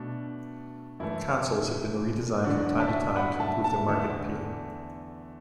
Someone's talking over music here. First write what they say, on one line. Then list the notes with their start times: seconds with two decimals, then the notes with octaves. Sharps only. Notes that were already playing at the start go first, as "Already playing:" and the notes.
Consoles have been redesigned from time to time to improve their market appeal.
Already playing: B2 A3 D4
1.00 F#2 E3 A3 E4
2.44 E2 D3 F#3 D4 F#4
2.80 E5 A5
3.16 F#5 B5
3.40 E5 A5
3.64 E5 A5
3.88 E2 D3 A3